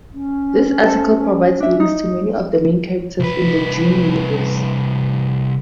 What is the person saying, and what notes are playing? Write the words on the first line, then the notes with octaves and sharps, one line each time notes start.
This article provides links to many of the main characters in the "Dune" universe.
C#4
A4 C5 A5
D4 E5
D#4
C2 B4